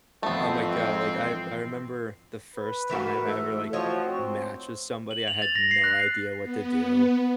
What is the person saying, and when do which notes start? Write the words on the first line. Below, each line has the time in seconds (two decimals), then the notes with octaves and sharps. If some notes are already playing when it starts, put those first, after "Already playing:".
Oh my god, like, I I remember the first time I ever, like, matched with somebody, I had no idea what to do.
0.23 G#1 F2 E3 F3 A3 B3 C4
2.56 B4
2.90 E3 A3 F#4 A#4
3.25 A4
3.73 F3 F#4 C#5 D#5
4.05 C4
5.11 F#7
5.28 F7
5.42 A6
5.55 A#6
5.71 C7
5.84 F#6
6.42 B3